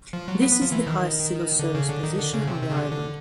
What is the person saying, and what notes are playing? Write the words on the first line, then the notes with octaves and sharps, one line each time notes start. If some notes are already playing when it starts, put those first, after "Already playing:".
This is the highest civil service position on the island.
F3
F#3
B3
B3
F3
E3
D#3
D3
C#3
D3
D#3
D3
C#3
C3
C3
C#3
D3
D3